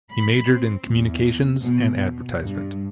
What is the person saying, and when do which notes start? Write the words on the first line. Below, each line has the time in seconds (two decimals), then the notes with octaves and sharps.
He majored in communications and advertisement.
0.11 B5
0.51 C4
0.89 E2
1.62 B2
1.95 B2
2.39 G2